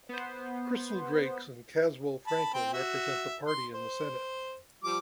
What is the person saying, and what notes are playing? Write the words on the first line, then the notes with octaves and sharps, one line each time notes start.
Crystal Drakes and Caswell Franklyn represent the party in the Senate.
B3 C5
A5 B5
C4 G5
F#4 E5
C6
C5
F3 G3 D6